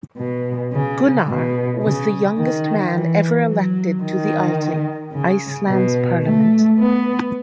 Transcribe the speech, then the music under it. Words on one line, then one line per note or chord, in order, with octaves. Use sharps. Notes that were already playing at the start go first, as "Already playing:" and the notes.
Gunnar was the youngest man ever elected to the Althing, Iceland's Parliament.
B2
C#3
B2
C#3
D#3
E3
F#3
D#3
C#3
B2
A3
B3